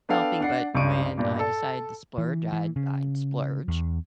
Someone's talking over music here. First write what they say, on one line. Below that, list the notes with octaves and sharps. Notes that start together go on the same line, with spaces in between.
healthy, but when I decided to splurge, I'd I'd splurge
B3 D4 A4 F5 G5
D4 F#5 C7
C#2 G2 C#6 D7 D#7
G2 A#2
A4
E3
E3
C#3
E2